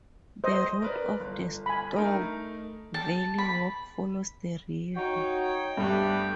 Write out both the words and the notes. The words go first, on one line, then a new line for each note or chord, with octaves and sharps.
The route of the Stour Valley Walk follows the river.
C5 D#5
A#4 B4 D5
G1
G#5 B5
A3 D#4 A#4
A5
B5
D#4 F#4 C#5 G5
G2 G3 A3 B3